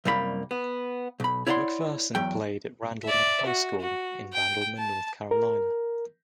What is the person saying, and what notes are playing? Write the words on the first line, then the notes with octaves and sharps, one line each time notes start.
McPherson played at Randleman High School in Randleman, North Carolina.
C2 F#2 G3 A#3 A4 B5
B3
B1 B5
E4 C#5 D5 F#5 A5 C6
E2 F#3 G5
D5 E5
F#4
F#4
G5
A5
A#4